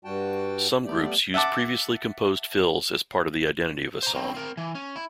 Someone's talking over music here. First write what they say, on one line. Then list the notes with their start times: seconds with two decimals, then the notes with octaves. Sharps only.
Some groups use previously composed fills as part of the identity of a song.
0.05 G2 G3 F#4 G5 A5
0.85 G3 A3 B3 G4 D5
1.34 E5 F#5 A5 D6
4.03 C5 A#5
4.15 C4 C#4
4.34 C4 A#4
4.57 E3
4.75 C#4
4.96 E4